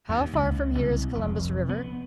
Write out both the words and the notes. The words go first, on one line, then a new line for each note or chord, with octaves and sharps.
How far from here is Columbus River?
D#2
C#2
C2
F1
B3